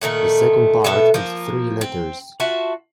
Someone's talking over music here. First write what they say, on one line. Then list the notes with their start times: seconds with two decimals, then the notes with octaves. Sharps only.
The second part is three letters.
0.02 A#2 D#3 A3 F#5
0.84 B2 B3 A4 E5
1.14 F3 A#3
1.81 C4
2.40 F4 F#4 E5 A5